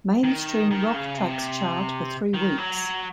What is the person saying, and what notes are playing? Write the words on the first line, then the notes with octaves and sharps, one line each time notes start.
Mainstream Rock Tracks chart for three weeks.
D#3
D#3
C#3
C3
D#3
F#3